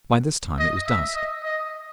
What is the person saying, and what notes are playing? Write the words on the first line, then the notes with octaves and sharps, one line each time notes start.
By this time it was dusk.
D#5
E5
D#5
D#5